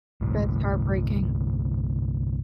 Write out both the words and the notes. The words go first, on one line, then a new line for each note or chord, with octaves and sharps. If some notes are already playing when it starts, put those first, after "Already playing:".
That's heartbreaking.
G1 C2 A2